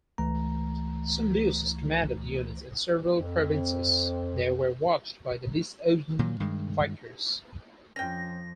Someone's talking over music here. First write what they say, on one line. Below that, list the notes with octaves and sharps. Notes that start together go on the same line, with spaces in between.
Some duces commanded units in several provinces: they were watched by the diocesan vicars.
C#2 E3 A3 A#5
F2
C4
A#2 D#3 F#3
G2 D#3 G#3
F2 F3 C#4 G5 A#6